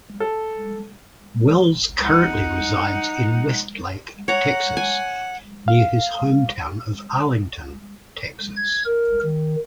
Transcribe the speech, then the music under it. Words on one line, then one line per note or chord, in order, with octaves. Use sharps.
Wells currently resides in Westlake, Texas, near his hometown of Arlington, Texas.
A4
D#4 F#5
C#5 F#5 A#5
G#5
F5
G#6
A#4
D#3